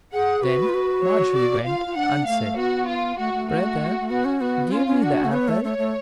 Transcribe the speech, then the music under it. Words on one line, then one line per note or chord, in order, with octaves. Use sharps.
Then Margery went, and said, "Brother, give me the apple."
G#4 F#5
F#4 B4
F4
F#4
C#5
D5
F4 F5
F4
D4 F#5
A3 F5
B3 F#4
F4
A3 F#4
A3
F#4
A3
B3 F#4
C#4
B3 F#4
C#4 F4
C#4
D4 F#4
A3
B3 C#5
A3
A3 C#5
A3